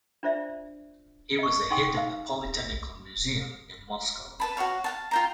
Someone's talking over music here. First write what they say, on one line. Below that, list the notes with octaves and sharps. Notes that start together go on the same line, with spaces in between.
He was a head of the Poly-Technical Museum in Moscow.
D4 F4 C5 D5 E5
D#5 C#6
D#4 F#5 G5 C6 C#6 D#6
D#4 F5
B4 A5 B5
F#4 G#4 C#5 F5
F5 F#5 A5
F4 G5 A#5